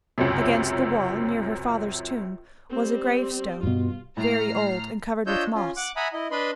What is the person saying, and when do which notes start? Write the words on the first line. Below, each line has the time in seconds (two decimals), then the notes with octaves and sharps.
Against the wall, near her father's tomb, was a gravestone, very old and covered with moss.
0.18 C#2 F#2 C3
2.70 G3 C4
3.63 G2 B2 F4
4.17 A2 A#5 F6 C7
5.27 D4 F4 C#5 D#5 E6 G6
5.55 C#4 F4
5.77 F#5 D6 F#6
5.96 E5 F#5 G#5 A#5 B5 D#6
6.13 E4 D#5
6.31 D4 B4 D#5 B5 C6